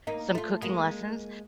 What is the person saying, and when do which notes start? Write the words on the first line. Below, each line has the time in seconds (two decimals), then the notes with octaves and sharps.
some cooking lessons
0.07 A#3 D#4
0.35 A3 F4
0.62 G#3 A#3